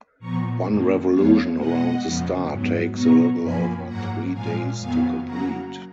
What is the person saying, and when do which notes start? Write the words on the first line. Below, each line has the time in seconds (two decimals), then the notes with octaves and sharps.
One revolution around the star takes a little over three days to complete.
0.19 A#2 F3 B3 A#5 C#6
0.66 F#2 D#3 A#3
1.11 F2 F3 B3 C#5 F5
1.57 B2 G#3 B3 D#5 F#5
2.03 F2 C#3 F3 B3
2.49 G#2 F#3 B3
2.95 B2 F#3 B3 A#5 C#6
3.41 F#2 F3 A#3 G#5 B5
3.86 G#2 F#3 A#3 F#5 A#5
4.33 A#2 F3 G#3 F5 G#5
4.78 F2 D#3 F#3 B3 F5 G#5
5.25 C#3 F#3 A#3 F#5 A#5